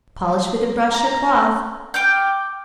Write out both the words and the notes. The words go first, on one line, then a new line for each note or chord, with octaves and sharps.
Polish with a brush or cloth.
A#5
G5 D6 F6 G6